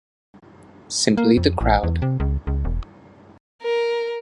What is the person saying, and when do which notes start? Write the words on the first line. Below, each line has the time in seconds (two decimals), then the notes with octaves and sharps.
Simply the crowd.
1.17 A#3
1.37 F2
1.61 A1
1.83 E2
2.02 C3
2.20 C#2
2.47 C#2
2.65 E1
3.62 A#4